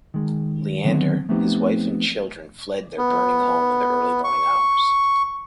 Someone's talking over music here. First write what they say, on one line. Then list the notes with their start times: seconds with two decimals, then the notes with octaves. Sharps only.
Leander, his wife and children fled their burning home in the early morning hours.
0.14 D#3 G#3
0.84 D3 D#3 F#3 B3 C4
1.29 F3 A3 B3 C4 D#4 G4
2.98 B3
4.24 C#6